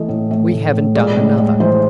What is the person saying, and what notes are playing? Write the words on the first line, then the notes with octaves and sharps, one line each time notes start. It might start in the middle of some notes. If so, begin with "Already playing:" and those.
We haven't done another.
Already playing: E3 A3 D#5
A2
A3
A2
A2
G#3 D5
A2
G#3
E3 C5